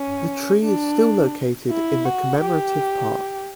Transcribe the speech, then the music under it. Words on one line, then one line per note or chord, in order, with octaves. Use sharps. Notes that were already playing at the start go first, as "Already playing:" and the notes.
The tree is still located in the commemorative park.
Already playing: C#4
D4
E4
F#4
G4